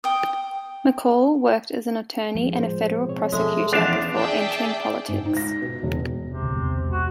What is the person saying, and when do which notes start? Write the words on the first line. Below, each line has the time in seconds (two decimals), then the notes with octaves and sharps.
McCaul worked as an attorney and a federal prosecutor before entering politics.
0.04 G5 D#6
2.35 F3 G#3
2.55 A2 C5
3.08 B2 C4 C#5
3.33 F3 G#3 G#4 A4 E5
3.72 E2 F3 C#4 D4 F5 A5
4.15 G#4 D5 E5 G5 A5
5.08 G#2
5.25 D#4
5.37 A#6
5.62 B2
5.83 E1
6.25 E1 C3
6.41 D2 A2
6.56 B1 E2 G#3
6.90 F#4